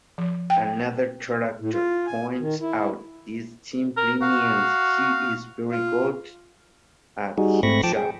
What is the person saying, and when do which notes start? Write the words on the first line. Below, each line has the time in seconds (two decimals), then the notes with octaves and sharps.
Another character points out this simply means he is very good at his job.
0.18 F3
0.50 G5
1.60 A2
1.73 F4
2.07 G#5
2.39 D#3
2.61 E4
3.97 A#4
4.22 F#4 F5
5.71 F4
7.38 G3 D#4 F#4 G#4
7.63 G#2 A3 C4 B5 C#6 A#6
7.84 F3 G5 A5 D6
7.97 G#4 G5